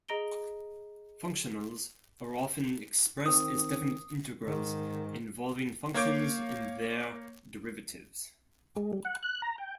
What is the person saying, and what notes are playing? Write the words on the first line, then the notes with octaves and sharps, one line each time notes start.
Functionals are often expressed as definite integrals involving functions and their derivatives.
G#4 D#5 A#5 A#6 D7 G7
D#3 C4 D#6
G#2 D#3
A#3 C#5 F5 D6 G6 D7
G#3
G3
F#5
F#6
A#5
G5